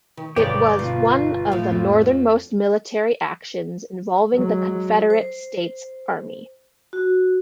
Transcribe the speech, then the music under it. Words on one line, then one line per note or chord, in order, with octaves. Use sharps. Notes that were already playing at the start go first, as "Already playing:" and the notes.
It was one of the northernmost military actions involving the Confederate States Army.
D#3
G1 B2 F3 G4 C#5 D5
B2 F4
A2 F3
F2
F#3 G#3
C5
F#4